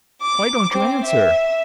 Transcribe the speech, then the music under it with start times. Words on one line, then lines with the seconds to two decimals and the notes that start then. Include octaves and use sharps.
Why don't you answer?
0.21 D6
0.73 C4
1.04 E5